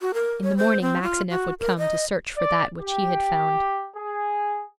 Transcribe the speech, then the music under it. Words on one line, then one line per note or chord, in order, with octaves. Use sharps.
In the morning Maxineff would come to search for that which he had found.
F#4
A#4
C#5
C5
C4
F4
F#4
A#4
D#5
D5
G4
G#4